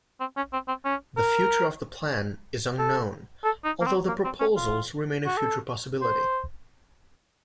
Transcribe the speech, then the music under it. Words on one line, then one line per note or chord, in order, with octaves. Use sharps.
The future of the plan is unknown although the proposals remain a future possibility.
C4
C#4
C4
C4
C#4
A#4
A4
A4
D#4
A#3
C4
A#3
C4
C#4
F4
F#4
A4
C5